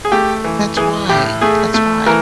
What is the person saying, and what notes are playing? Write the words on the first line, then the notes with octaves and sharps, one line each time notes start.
That's right. That's right.
G#4
A3 G4
E3
E3 G#4
A2 G4
A3 G#4
A3
E3 A#4